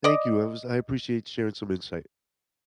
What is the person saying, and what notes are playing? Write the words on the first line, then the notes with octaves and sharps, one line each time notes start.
Thank you, it was I appreciate sharing some insight.
D5 D#5